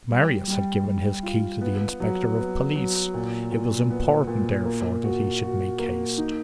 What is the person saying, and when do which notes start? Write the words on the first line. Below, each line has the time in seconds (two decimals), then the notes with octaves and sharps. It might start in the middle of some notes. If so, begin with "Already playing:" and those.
Marius had given his key to the inspector of police; it was important, therefore, that he should make haste.
0.10 G3
0.48 G3
0.85 G3
1.23 F4
1.61 B3
2.00 F#3
2.37 B3
2.76 F#3
3.14 A#2
3.51 A#2
3.90 B3
4.27 A#2
4.65 A#3
5.04 F#4
5.42 F#4
5.79 A#3
6.18 D#4